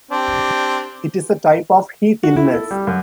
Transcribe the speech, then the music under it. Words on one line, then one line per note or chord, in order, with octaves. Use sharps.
It is a type of heat illness.
C4 D4 G4
F#4
E4
A4
G3
F#2